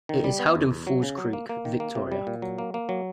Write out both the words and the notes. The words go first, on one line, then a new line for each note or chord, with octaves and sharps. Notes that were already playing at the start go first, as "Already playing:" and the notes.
It is held in Falls Creek, Victoria.
D#3
G3
B3
E2
E2
F#3
C#3
F#3
A#3
A#3
D#3
A#3
C3
G3
A#2
F#3
A#3
A#3
F#3